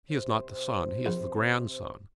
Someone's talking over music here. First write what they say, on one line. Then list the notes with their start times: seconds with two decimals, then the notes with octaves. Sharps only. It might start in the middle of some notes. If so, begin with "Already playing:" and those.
He is not the son; he is the grandson.
0.11 C3 C5
1.06 A#1